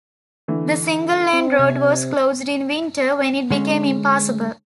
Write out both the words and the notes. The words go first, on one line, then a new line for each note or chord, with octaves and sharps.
The single-lane road was closed in winter when it became impassable.
D3 E3 A3
C4
C3 G#6
D3 G#3 C#4